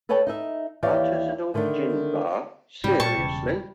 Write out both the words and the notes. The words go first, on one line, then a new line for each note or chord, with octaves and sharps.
Artisanal gin bar, seriously?!
A4 B4 C#5 D#5 G5 A5
D#4 D#5 E5
D#2 E3 G4 C#5 D5 F5
D3 D#3 A3 C4 D4
G#2 C#3 G3 C#4
A#2 A5 C#6
E1 C#3